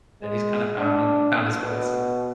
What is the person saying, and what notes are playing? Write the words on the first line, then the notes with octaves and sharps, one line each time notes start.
and he's kinda found found his place.
G#3
D4
B2